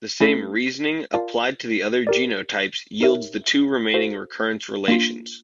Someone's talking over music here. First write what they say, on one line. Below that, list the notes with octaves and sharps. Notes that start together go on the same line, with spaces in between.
The same reasoning, applied to the other genotypes yields the two remaining recurrence relations.
A3 C#4 E4 A4
F4 A#4 D5 F5 A5
G4 A#4 D5
D#4 G4 A#4 C#5 E5
F#4 A4 C5 F5
A#3 D4 F4